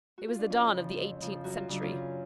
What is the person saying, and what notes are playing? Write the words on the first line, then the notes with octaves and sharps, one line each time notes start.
It was the dawn of the eighteenth century.
F#4
F4
D4
F2 C#4
C#3 F3
F2
C#3 F3
F#2 F#4
F4
C#3 F#3 D4
C#4 F4
F#2